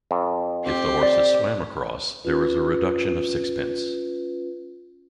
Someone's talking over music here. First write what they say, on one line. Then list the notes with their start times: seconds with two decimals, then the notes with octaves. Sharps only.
If the horses swam across, there was a reduction of sixpence.
0.11 F2
0.63 C4 G4
1.03 D5
2.24 C#4 F4 B4